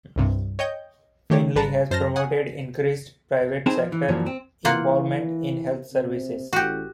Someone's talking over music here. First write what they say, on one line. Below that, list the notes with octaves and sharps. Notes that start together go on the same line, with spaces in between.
Finley has promoted increased private-sector involvement in health services.
C2 G2 C3
C#5 D#5 G5 G6
D#3 A3 G4 C#5
G#1 G3 B4 A5 A#5
F#2 C5 A5 F6 A#6
F#5 G#5 D#6
C4 D#4 G#4 B4 C5 A5
F3
E3
F#2 A#2 E3 F3
C4
E3 A#3 F4 F#5
C3
A1 F#4 G4